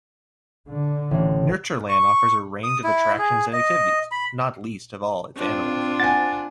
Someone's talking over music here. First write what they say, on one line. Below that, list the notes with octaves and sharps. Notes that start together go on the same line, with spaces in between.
Natureland offers a range of attractions and activities, not least of all its animals.
D3
A1
C#6
D#6
E4
G#4
D#5
B5
C4 D4 F4
F#5 G#5 A6